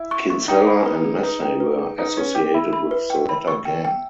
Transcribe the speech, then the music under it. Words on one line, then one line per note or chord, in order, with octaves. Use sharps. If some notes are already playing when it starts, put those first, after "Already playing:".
Kinsella and Massey were associated with the latter gang.
Already playing: E4
C#6
C#6
D#4 G5
B5
B4
G#4
D#4 B4
G5
B4
G#4
D#4 B4
C#4 B4
G4 G5
E4 B5
B5
B4
G5
B5
C#6
G5
G5